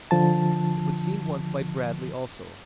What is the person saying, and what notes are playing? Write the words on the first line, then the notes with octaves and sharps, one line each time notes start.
It was seen once by Bradley also.
D3 F3 A5